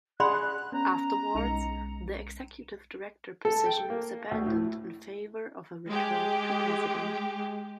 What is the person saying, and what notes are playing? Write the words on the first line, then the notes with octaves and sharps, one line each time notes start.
Afterwards, the Executive Director position was abandoned in favor of a return to "President".
G#4 D5 F#5 B5 C6 F#6
B3 C#4 A#5
B1 G#3 D#4 C#7
A4
G5
A#3
D2
A2
G#3 G4